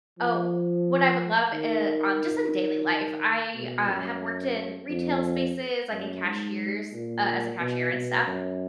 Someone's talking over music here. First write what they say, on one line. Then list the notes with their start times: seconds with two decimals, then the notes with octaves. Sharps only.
Oh, what I would love in um, just in daily life, I, uh, have worked in retail spaces, like in cashiers uh, as a cashier and stuff,
0.19 F3
1.53 D#3
3.55 B2
3.89 F#2
4.90 F2
5.91 F#2
6.25 G#2
6.93 A#2
7.59 B2
7.93 B2
8.26 F#2